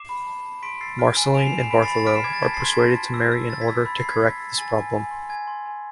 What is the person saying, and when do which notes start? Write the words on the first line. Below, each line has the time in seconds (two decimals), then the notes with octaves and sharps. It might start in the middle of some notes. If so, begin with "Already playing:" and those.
Marceline and Bartholo are persuaded to marry in order to correct this problem.
Already playing: D6 C7 E7
0.09 B5
0.26 A5
0.45 A5
0.63 C6 B6 D7
0.81 E6 A6 C7
0.99 F6 B6 D7
1.16 G#5
1.34 G#5 D7 F7
1.46 C7 E7
1.52 G#5
1.58 C7 E7
1.70 B5 B6 D7
1.83 A6 C7
1.88 B5
1.94 A6 C7
2.06 F6 B6 D7
2.15 C7 E7
2.24 D6 G#6
2.33 A6
2.42 A5 G#6 B6
2.54 A6 C7
2.60 C6
2.66 G#6 B6
2.79 A5 A6
2.96 A5
3.14 E6
3.32 E6
3.50 E6 A6
3.61 G#6 B6
3.68 E6
3.74 A6
3.86 B5 A6
3.98 A6 C7
4.03 B5
4.10 G#6 B6
4.21 E6 G#6 B6
4.40 E6 A6
4.58 G#5 A6
4.76 G#5
4.94 G#5
5.11 C6
5.29 G#5 G#6
5.48 C6
5.66 G#5